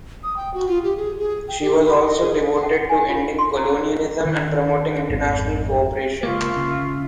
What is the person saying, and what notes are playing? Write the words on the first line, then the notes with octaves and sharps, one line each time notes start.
She was also devoted to ending colonialism and promoting international cooperation.
D#6
G5
F#4
F4
G4
G#4
G#4
G5
G4
B5
D#5
G#4
F#5
G#5
F4
C6
A#5
D#3
G#1 F2 G#2
C#2 A#3 F4 E5 C#6
C#3